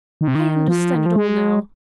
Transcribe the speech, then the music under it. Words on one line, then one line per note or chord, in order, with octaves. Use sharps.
I understand it all now.
D#3
C3
D#3
F3
D#3
F3
G#3